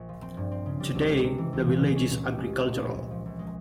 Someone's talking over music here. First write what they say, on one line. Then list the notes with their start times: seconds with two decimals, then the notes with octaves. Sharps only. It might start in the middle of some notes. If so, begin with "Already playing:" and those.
Today, the village is agricultural.
Already playing: A#1 A#3
0.09 F3
0.22 C4
0.37 G2
0.51 C4
0.66 C#3
0.80 G3
0.95 C#2
1.09 G#3
1.24 C3
1.38 E3
1.53 C#2
1.66 A#2
1.81 G#3
1.96 C#4
2.10 A#2
2.24 G4
2.38 G#3
2.53 C#4
2.68 A#2
2.82 A#1
2.96 A#2
3.11 F3
3.26 A#1
3.39 G#3